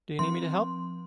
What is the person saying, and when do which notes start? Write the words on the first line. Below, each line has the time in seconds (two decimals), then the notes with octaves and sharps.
Do you need me to help?
0.19 F3 C4 C6